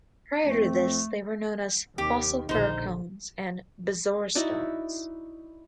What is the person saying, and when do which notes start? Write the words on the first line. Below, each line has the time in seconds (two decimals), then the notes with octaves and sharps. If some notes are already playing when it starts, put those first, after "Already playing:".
Prior to this they were known as "fossil fir cones" and "bezoar stones".
0.46 F2 A3 C4
1.98 D#2 C3 D#3 G4
2.49 A#1 D3 D#4 C5
4.35 D#4 E4 F#4 D5